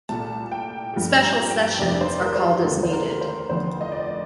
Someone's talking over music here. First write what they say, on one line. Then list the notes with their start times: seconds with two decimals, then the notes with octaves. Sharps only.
Special sessions are called as needed.
0.09 C2 A#2 A3 A5
0.52 G5
0.94 G2 F3 A3
1.22 A#5
1.51 G5
1.79 F1 F2 C3 G3 D5
2.01 C5
2.22 A#4
2.36 C5
2.43 A#4
2.64 F1 D#2 D3 F3 A4
2.83 C5
2.93 A#4
3.21 C5
3.49 F1 F2 D3 F3 A3 C5
3.81 D#5
3.92 D5